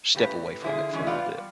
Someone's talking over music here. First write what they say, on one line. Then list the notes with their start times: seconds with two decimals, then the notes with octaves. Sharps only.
step away from it for a little bit.
0.15 A2 C#3 G4 B4 A#5
0.62 D3 F3 E4 G4 G#4
0.92 D3 E3 G#3 C#4
1.07 B3 F4 D5 F5 G5
1.37 G3